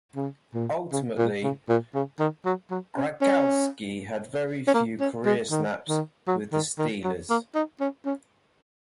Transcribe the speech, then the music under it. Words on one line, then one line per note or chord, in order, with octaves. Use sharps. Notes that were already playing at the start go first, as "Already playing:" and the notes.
Ultimately, Gradkowski had very few career snaps with the Steelers.
C#3
A#2
C#3
A#2
C#3
A#2
C#3
D#3
F#3
F#3
C#4
C#4
C#4
A#3
C#4
G#3
D#3
D#3
F#3
D#3
D#3
F#3
A#3
D#4
C#4
C#4